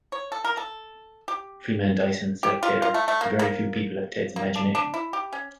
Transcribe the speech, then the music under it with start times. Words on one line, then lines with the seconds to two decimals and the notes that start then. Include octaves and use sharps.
Freeman Dyson said of Taylor, Very few people have Ted's imagination.
0.12 C#5
0.32 A4
0.45 A#4
0.57 A4
1.28 G4
2.43 G4
2.63 F4
2.82 F4
2.94 A3
3.08 A3
3.21 A#3
3.39 A#3
4.36 A#3
4.55 D4
4.75 D4
4.94 E4
5.13 G4
5.33 C#4